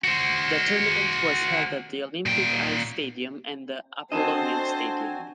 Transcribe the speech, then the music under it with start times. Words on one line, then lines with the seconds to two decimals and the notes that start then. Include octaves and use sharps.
The tournament was held at the Olympic Ice Stadium and the Apollonio Stadium.
0.04 F#4 C5
2.26 A#2 G5
4.12 C4 D4 F#4 A4 C5 D#5 G#5 A5